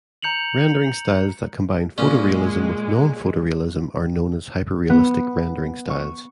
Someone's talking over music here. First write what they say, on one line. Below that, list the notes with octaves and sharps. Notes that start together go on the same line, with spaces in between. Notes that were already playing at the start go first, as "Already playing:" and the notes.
Rendering styles that combine photorealism with non-photorealism are known as hyperrealistic rendering styles.
A#5 G6 C#7 F7 F#7
A#2 G#3 C#4
B3
C#6